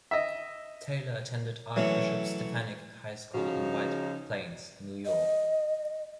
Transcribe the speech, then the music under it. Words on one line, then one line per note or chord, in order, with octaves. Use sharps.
Taylor attended Archbishop Stepinac High School in White Plains, New York.
D#5 E5
E3 F#3 A3 C#4
C#3 F3 D#4 F#4
D#5